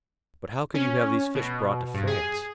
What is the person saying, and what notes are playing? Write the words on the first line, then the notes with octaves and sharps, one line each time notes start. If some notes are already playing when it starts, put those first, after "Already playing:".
"But how could you have these fish brought to France?"
C#4
B2
G2
G#4